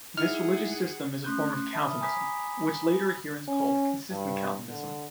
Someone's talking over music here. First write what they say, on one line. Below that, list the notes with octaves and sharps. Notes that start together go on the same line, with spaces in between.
This religious system is a form of Calvinism which later adherents called consistent Calvinism.
D#4 E4 G#4 E5 F#5 F6
A3 C#4 C6 F#6 G6
E5 A5 B5 D#6 F6
G#5 A#5 B5 D6 D#6 B6
C#4
G2
D3